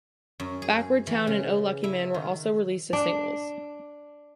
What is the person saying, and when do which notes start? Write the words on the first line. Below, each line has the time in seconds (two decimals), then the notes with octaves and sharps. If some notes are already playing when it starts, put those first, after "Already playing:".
"Backward Town" and "O Lucky Man" were also released as singles.
0.40 F#2
0.62 G#4
1.07 E3
1.27 C#3
1.84 E4
2.14 D#3
2.93 D4